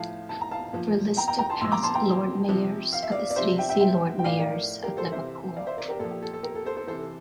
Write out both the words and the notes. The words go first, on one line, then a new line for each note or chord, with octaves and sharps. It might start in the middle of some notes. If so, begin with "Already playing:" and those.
For list of past Lord Mayors of the city see Lord Mayors of Liverpool.
Already playing: A2 F3 F5 A5
A5
A#5
F5 A5
A#2 F3
G5 A#5
G5 A#5
G5 A#5
A5 C6
A#2 F3 C6 E6
A#5 D6
A5 C6
G5 A#5
C3 F3
F5
E5
D5 F5
D5
C3 F3 C5 E5
E5 G5
E5 G5
E5 G5
G5
A2 F3 D5 F5
A#4 D5
G4 A#4
A4 C5
C3 E3 C5 E5
D5 F5
C5 E5
A#4 D5
G4 A#4
A#2 F3 A4
G4
A4
A4
G4 A#4
A4
A4 C5
A4 C5
C3 E3 A4 C5